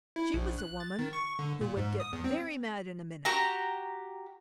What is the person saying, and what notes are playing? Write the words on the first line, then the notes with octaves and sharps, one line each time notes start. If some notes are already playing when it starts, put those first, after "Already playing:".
She was a woman who would get very mad in a minute.
E4
A#1
F#6
A6
D#3
C#6
D3
A#2
G#2
D#6
E2
C4
F#4 G4 A#5